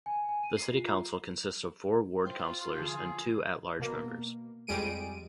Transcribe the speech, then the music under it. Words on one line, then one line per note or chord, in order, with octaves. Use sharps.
The city council consists of four ward counselors and two At-Large members.
G#5
G#5
D#7
C7
F4
A#5
F4 C5 G5
D3 F3 G#4
B2 A#3
F2 G3 G#3 D7 D#7